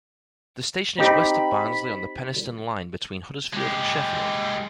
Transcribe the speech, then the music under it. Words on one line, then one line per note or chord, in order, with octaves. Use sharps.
The station is west of Barnsley on the Penistone Line between Huddersfield and Sheffield.
C4 D#4 G4 B5
G#3 G4